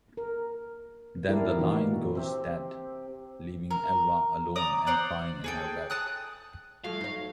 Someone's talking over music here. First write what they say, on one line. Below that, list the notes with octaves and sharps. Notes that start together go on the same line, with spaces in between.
Then the line goes dead, leaving Elva alone and crying in her bed.
A#4
E4 G4 A4 A#4 D5 F5
A#2 E3 A#3 D#4 F#4
C3 C4 G4
A#4
D5 A#5 D6 D#6
C5 D5 F#5
G#4 A4 G5
A5 D#6 F#6
F3 F#3 A3 F5
D#4 C#5